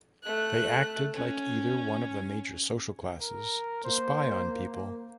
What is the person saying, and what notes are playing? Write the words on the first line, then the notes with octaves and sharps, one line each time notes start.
They acted like either one of the major social classes to spy on people.
A3 F#6
C#4
A#4
A#3 C5